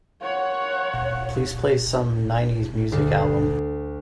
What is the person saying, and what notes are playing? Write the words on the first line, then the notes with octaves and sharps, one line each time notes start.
Please play some nineties music album.
F4 A#4 C#5 F#5
D2 C7